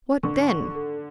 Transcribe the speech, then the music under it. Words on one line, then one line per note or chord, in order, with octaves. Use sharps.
What then?
D3 C#6
C#6
A4